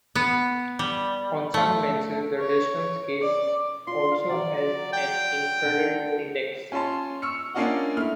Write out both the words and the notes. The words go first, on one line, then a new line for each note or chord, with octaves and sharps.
On some lenses the distance scale also has an infrared index.
B3
G3
A3
C#5
D5
F4 D5 C6
F5
F#3 D5 D6
G5
D3
C#4 F4 C#5 A5 C6
C#6 E6 F6 C#7
A#3 C#4 D4 F4 D#5 F#5
A3 E4 F6